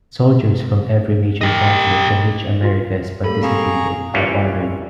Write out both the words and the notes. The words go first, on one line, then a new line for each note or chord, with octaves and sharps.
Soldiers from every major conflict in which America has participated are honored.
G4 D#5
F4 F#4 C6
G3 A#3 A4 B5
C4 G#4 F5 A#5 C#6
E3 G3 A#3 C#4 D4 F4